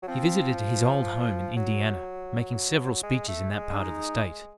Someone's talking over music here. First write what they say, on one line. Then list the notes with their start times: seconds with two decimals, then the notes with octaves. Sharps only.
He visited his old home in Indiana, making several speeches in that part of the State.
0.03 F#3
0.08 F3 C4
1.56 F#3
3.03 G#3
3.28 A3
3.52 G#3
3.72 D4
3.76 D#4